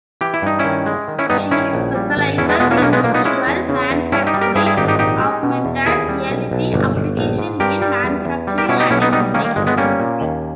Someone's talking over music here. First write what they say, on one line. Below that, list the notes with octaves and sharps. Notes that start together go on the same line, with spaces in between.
She specializes in virtual manufacturing, augmented reality application in manufacturing and design.
E3 G4
E4
G2 D#4
C#4 E4
D#3
G#3
D#3
C#4 E4
G2 B3 D#4
D#3 C#4 E4
A#1
G3
G#1
E2 C#4 E4
G#3 B3
B2 G#3 B3
A#3 C#4
B3
B1 A#3 C#4
G#3 B3
A#2 A#3
B3 D#4
G#3 C#4 E4
E2
C#3
E2
G2 C#4 E4
D#4 G4
G3
G4 A#4
G2 E4 G#4
E4 G#4
G#1 D#4 G4
D#4 G4
A#1 D#4 G4
G#3
B2
E2
D#2 E4 G#4
G3
B1
B1
G1
G1
A#1
G#2
G2 G4 A#4
G3
E2
E2
G3
G4 A#4
B2 C#4 E4
D#4 G4
B1 C#4 E4
B3 D#4
G3 B3 D#4
D#3 A#3 C#4
A#3
G1 G#3
G#3 B3
G3 A#3 C#4
A#2
D#2